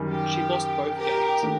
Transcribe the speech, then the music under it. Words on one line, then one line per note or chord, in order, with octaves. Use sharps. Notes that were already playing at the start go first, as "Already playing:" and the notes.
She lost both games.
Already playing: F#2 D#3 G3
G4
G4 A#4
D#3 A3 D4